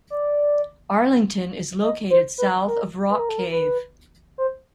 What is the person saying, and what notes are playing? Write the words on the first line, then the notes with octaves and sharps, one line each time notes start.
Arlington is located south of Rock Cave.
D5
D#5
C5
B4
A#4
B4
A#4
A4
A#4
B4
C5